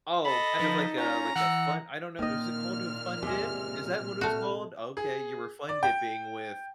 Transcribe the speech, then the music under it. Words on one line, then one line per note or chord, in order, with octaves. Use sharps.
Oh, kind of like a like a fun I don't know, is it called a fun dip? Is that what it was called? Okay, you were fun dipping with
A4 D#5 B5
F3 D#4 B4
C#4 F4 A#5
E3 F#5 E6
A#2 D#3 A#3 C4 D#5 F6
E2 C3 G#3
A3 C4 E4 F#4
G#4
D5
G5